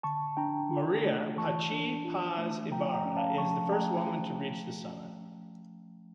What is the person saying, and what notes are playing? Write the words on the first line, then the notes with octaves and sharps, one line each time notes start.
Maria "Pachi" Paz Ibarra is the first woman to reach the summit.
D3 A5 C#6
D4 G5 A#5
F4
A3
E3 A5 C#6
D4
F4
A3
F3 G5 A#5
G5 A#5
C#4
F5 A5
F3 A5 C#6
A3 G5 A#5